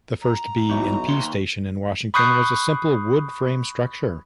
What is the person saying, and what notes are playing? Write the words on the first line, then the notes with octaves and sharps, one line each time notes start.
The first B and P station in Washington was a simple wood frame structure.
A#5
B1 G2 E3 D#4 E5 C#6
D#2 C6
B5 C#6 D#6 F#6 G6 C7